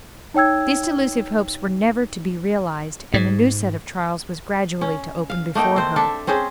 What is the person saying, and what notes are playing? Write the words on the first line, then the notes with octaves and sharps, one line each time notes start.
These delusive hopes were never to be realized, and a new set of trials was gradually to open before her.
D#4 C#5 G5 E6 G#6
G#2
C#4
F5
A3 A#3 D#4 G5
C4 C5
D4 A4 E5
C4 C#4 G#4 C5